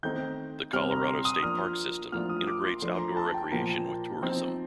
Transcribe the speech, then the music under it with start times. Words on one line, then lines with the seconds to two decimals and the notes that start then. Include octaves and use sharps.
The Colorado State Parks system integrates outdoor recreation with tourism.
0.03 D#3 A3 C4 D#4 G6
0.73 C3 G3 C4 F6
0.91 A#5
1.07 C6
1.25 D#6
1.43 F3 A#3 D4 F4 F6
2.12 A2 F3 A#3 D4 F4 F6
2.29 D#6
2.47 D6
2.64 C6
2.82 F3 A3 D4 C6
2.99 A#5
3.17 A5
3.34 G5
3.51 A#2 F3 A#3 G5
4.21 F3 C4 D#4